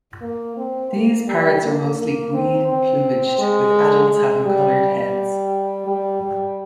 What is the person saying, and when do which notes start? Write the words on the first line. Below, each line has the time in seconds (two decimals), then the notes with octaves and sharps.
These parrots are mostly green plumaged, with adults having coloured heads.
0.21 A#3
0.57 C4
0.92 A#3
1.27 G3
1.62 A#3
1.97 A#3
2.33 C4
2.68 C4
3.39 G#3
4.10 G#3
4.45 G3
5.86 G3
6.21 G3